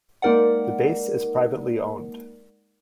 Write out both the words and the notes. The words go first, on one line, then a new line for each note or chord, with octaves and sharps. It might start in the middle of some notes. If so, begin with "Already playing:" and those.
The base is privately owned.
G#3 A#3 D#4 A#4 D5 F#5